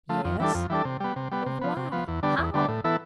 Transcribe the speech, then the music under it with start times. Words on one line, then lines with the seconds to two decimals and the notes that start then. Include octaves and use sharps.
"Yes, but why--how?"
0.09 F3 A3
0.25 F2
0.40 E3 G3 D4 A4
0.54 F2
0.70 E3 G3 D4 A4
0.85 C3
1.00 G3 B3
1.16 C3
1.31 G3 B3
1.46 C3
1.61 F3 B3
1.77 C3
1.92 F3 B3
2.08 E2
2.23 D3 G3 B3 D4
2.38 E2
2.54 D3 G3 B3 D4
2.68 A2
2.84 E3 B3 E4 A4